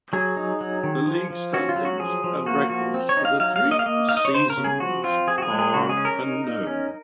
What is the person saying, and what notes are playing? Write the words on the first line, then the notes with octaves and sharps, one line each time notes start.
The league standings and records for the three seasons are unknown.
F#3 G#4
D#4
F#3
D#3
F3
F3
C#4 F#4
F4
F#3
F#4
F3 G#4
F3
A#3 F#4
F3 F#4
C4
C#5
D#4
F5
F#3 F5
F5
A#3
D#5
F5
A#3 D#5
D#4 F5
D#5
C#5
C#3 C5
A#4
C#3
G#4
F3 F#4
C4 F4
F3 G#4
F#4
G#4
G#3
G#4
C#3 F#4
G#4
C#4
A#4
D#4
D#4
C#4